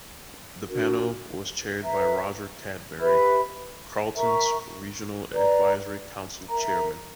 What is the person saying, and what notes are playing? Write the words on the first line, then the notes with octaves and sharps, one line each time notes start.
The panel was chaired by Roger Cadbury, Carlton's regional advisory council chairman.
D4 F#4 A#4
B4 E5 A#5
G4 B4 E5 B5
A#4 E5 A#5 C#6
B4 D5 A#5
A#4 E5 A#5